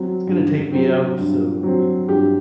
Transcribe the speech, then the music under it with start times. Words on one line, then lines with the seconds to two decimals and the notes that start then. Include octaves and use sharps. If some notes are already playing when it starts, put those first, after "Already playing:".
it's gonna take me out so
Already playing: F#3 C4
0.27 G2
0.72 F#3 C4
1.17 G2
1.63 F#3 C4
2.08 G2 G4